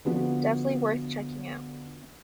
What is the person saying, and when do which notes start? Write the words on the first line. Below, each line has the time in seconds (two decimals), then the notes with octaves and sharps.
Definitely worth checking out.
0.05 D3 F3 B3 F#4